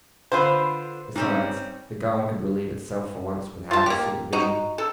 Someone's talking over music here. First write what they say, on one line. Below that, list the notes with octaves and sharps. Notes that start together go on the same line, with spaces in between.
Besides, the guard could relieve itself for once without his supervision.
D3 F4 B4 C5
G#2 G3 C4 C#4
F4 A5
A#3 G4
D#4 F#4
A4